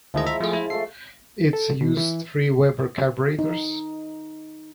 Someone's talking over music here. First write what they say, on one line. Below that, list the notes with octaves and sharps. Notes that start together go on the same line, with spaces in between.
It used three Weber carburetors.
D2 D#3 F3 G#3 E4 D#5
E5 A#5
F3 A3 F4 G#4
E4 F5
A3 F4 A4 C7
A4
B2
E3
D#4